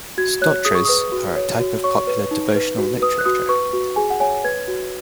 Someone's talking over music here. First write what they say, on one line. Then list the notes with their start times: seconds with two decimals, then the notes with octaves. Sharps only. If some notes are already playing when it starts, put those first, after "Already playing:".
Stotras are a type of popular devotional literature.
0.18 F#4 G#6
0.42 C#5 F#6
0.65 G#4 D#6
0.75 C#6
0.85 B4 D#6
1.12 F#4
1.36 C#5
1.60 F#4
1.84 C#5 C#6
2.07 B4
2.31 D#4
2.55 B4
2.78 F#4
3.02 B4 D#6
3.19 F#6
3.25 F#4 D#6
3.49 B4 C#6
3.73 F#4
3.96 G#4 G#5
4.10 F#5
4.20 C#5 G#5
4.44 B4 G#6
4.68 F#4